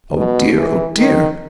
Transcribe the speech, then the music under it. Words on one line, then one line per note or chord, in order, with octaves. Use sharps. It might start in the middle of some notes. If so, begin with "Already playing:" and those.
Oh, dear, oh, dear!
B2
E3
D#3